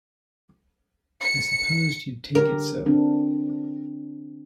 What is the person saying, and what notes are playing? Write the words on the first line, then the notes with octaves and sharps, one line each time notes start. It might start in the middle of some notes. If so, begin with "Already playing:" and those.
I supposed you'd take it so.
C#7
D3 G4 A#4
C4 D4